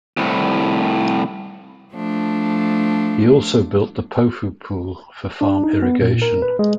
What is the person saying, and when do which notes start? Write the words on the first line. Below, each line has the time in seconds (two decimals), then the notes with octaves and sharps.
He also built the Pofu Pool for farm irrigation.
0.17 C2 A2
1.94 F3 A3 D4
5.41 D4
5.64 D#4
5.82 B3
6.02 A#2
6.22 A#4
6.42 B4
6.59 G#3